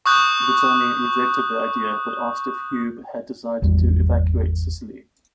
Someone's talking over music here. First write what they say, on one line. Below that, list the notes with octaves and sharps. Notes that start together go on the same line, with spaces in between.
Guzzoni rejected the idea but asked if Hube had decided to evacuate Sicily.
C#6 D#6 F#6 G6
G#1 E2 G3